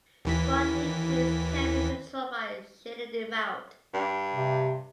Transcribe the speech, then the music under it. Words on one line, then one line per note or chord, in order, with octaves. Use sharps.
Broadleaf weeds can be controlled by shading them out.
D#2 E3 B6
G2
C3